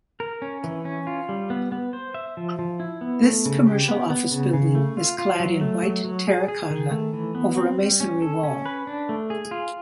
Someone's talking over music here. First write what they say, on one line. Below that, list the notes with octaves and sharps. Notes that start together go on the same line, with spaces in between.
This commercial office building is clad in white terra cotta over a masonry wall.
A#4
C#4
E3
C#4
F4
G3
B3
B3
C5
E5
F3
F3
E4
B3
A3
C#3
G4
B3
B3
C#3
C#3
A3
F4
F4
F#3
A3
F#3
F#3
G#4
G#4
D#3
A3
E3
B3
C4
G3
C#4
A4
C#4
B4
D4
A3
G#4
F4